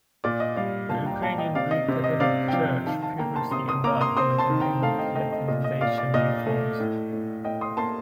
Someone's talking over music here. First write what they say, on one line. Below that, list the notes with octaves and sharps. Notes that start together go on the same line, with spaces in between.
The Ukrainian Greek Catholic Church previously embarked on a campaign of de-Latinization reforms.
A#2 D5
D#5
G3 D5 F5
A#2 F5 A5
G5 A#5
A#2 F5 A5
D#5 G5
C3 D5 F5
D#5
C3
D#5
C3 D5 F5
G5
F3 D5 F5
D#3 F5 A5
F5 A5
A#3 G5 A#5
A5 C6
C3 C6 D#6
C6 D#6
A#3 A#5 D6
C6 D#6
C4 C6 D#6
A5 C6
D#3
G5 A#5
A3 F5 A5
D#5 G5
A3 D#5 G5
D#5
A#2 D#5
D#5
A#2 D5 F5
D5
A#2 D#5
A3
A2
A2
A2 D#5 G5
C6 D#6
A#3 A5 C6